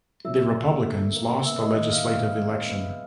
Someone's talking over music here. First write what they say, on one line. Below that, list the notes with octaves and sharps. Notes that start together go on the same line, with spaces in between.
The Republicans lost the legislative election.
F#3 E5 E6
A#3
D3
A#3
B3 E5 E6
D#5 D#6
D#3 D#5 D#6
F5 F6
B3 F5 F6
G#3
B3